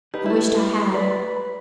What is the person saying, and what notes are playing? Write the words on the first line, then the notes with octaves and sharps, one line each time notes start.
I wisht I had.
D#4 G4 B4
A3 E4
B4 D5